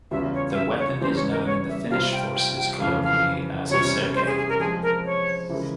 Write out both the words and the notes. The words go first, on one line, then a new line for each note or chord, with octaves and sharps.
The weapon is known in the Finnish forces colloquially as Sergei.
E2 C#3 G3 C#4 F4 E5
C#5
F5
E5
C#5
E2 C#3 E3 G3 C#4 C5
C#5
A#4
C#5
E5
C3 G3 C4 F4 F5
G5
G5
G5
F2 C#3 E3 F5
F5
E2 C3 G3 C#4 C#5
C5
G#4
G#4
A#4
F3 G#3 C4 G#4
A#4
C#5
C#3 E3 G#3 E4 A#4